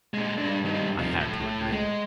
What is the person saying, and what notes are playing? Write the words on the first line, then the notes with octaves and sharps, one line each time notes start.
I had to agree.
A#2 G#3
G2 D4
G2 D#3
C3 F3
A2
G#3